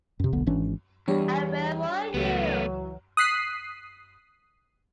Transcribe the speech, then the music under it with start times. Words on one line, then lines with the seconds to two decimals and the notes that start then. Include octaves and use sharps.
And where were you?
0.20 F#2 C3
0.33 E1 B1 D3 B3
0.46 G#1 E3 C#4 D4
1.08 E2 G3 D4 C#5
2.14 C#2 E3 F#3 A3 B3
3.17 D#6 F#6 B6 C7